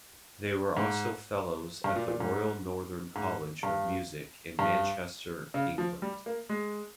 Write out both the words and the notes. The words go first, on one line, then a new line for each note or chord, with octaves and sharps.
They were also Fellows at the Royal Northern College of Music in Manchester, England.
G#2
G2
A#2
A#2
G#2
G#2
G2
G2
C#3
F3
G3
A#3
G#3